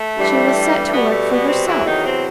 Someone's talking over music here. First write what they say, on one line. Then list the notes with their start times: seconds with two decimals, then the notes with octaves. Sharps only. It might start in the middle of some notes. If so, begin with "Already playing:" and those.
She will set to work for herself.
Already playing: A3
0.17 G2 E3 G3
0.92 B2 G3 B3
1.10 A3
1.30 B3
1.47 C3 C4
1.66 E2 C3 E3 F#3 E4
1.85 D#3 D#4
2.03 C3 C4